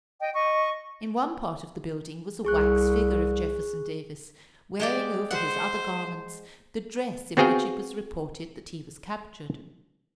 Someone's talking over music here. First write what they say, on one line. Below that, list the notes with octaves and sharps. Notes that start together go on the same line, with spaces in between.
In one part of the building was a wax figure of Jefferson Davis, wearing over his other garments the dress in which it was reported that he was captured.
D#5 G5
D#5 C#6
C2 G#4 C#6 F#6
G#3 G4 D5
C5 F#5
B3 C4 F#4 G#4 F5 G5